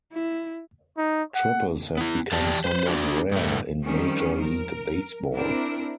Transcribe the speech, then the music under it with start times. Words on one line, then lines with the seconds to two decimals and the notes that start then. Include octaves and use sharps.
Triples have become somewhat rare in Major League Baseball.
0.13 E4
0.98 D#4
1.35 F#5
1.97 B3 E4
2.32 E3 G4 D5 A5
2.64 B4 C5
2.87 D4 F#4
3.32 G2 A3
3.84 D#3 F3 G3 C4 C#4
4.40 A#4
5.35 C4 D4 E4 A#4